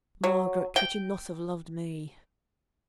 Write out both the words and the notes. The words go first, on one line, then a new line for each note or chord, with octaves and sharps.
Margaret, could you not have loved me?
F#3
G5